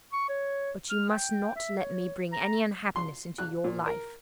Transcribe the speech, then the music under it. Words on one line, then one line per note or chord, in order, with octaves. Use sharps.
But you must not let me bring any unhappiness into your life.
C#6
C#5
F6
G5
E5
C#5
A#5
C6
F#6
A#2
A#4